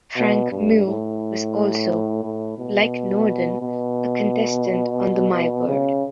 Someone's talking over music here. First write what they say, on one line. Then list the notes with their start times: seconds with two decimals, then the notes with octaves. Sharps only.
Frank Muir was also, like Norden, a contestant on the My Word!
0.17 B2
0.51 G2
0.85 A2
2.24 A2
2.58 B2
3.62 B2
5.67 C#3